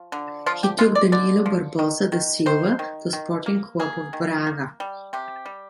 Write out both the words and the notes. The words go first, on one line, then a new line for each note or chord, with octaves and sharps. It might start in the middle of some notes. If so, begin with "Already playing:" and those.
He took Danilo Barbosa da Silva to Sporting Club of Braga.
Already playing: F3
D3
F3 F4
G4
G#3 F4
D5
D3 D5
F3
D#3
D#3
D#3 C5
D#3
D#3
A#3
A#3 G#4
D#3
A#3
G3
C3 G4
G3